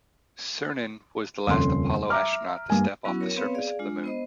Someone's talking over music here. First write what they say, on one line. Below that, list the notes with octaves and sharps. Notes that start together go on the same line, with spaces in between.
Cernan was the last Apollo astronaut to step off the surface of the Moon.
D#1 F2 C#3 A4 C6
E5 A#5 D6 F6
G2 A#3 G#5
F#3 B3 C#4 E4 F#4
A#4 C#5
B3 C4 B4 C#5 F5
G#4 D5 F5
G#3 D4 F4
B3 C5 D#5